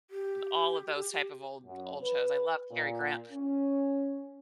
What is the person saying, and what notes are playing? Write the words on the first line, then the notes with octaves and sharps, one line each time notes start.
all of those type of old old shows. I love Cary Grant,
G4
F#2
B4
A#2
C#4